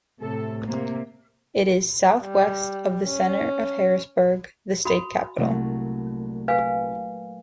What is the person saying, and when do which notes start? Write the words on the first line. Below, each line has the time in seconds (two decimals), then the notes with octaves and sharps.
It is southwest of the center of Harrisburg, the state capital.
0.20 A2 C3 A4
0.65 C3 A#3
2.23 G3
3.04 C#4
4.85 F#4 B5 D#6
5.38 C2 A#2 F#3 A3
6.48 B4 F5 G#5